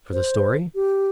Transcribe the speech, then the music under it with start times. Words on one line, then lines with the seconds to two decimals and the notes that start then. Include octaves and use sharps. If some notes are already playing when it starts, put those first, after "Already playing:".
For the story?
0.13 C5
0.75 G4